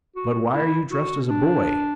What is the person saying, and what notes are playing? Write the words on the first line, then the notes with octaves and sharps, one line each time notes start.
"But why are you dressed as a boy?"
F#4
E4
F#4
D4